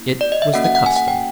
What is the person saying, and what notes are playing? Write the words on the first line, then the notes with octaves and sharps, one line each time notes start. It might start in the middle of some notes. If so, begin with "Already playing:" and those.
It was the custom.
Already playing: A#3 C#4 E4
D5
D#5
E5
A#3 C#4 F#4 A4 F#5
F#5
F#5
G#5
F#5
G5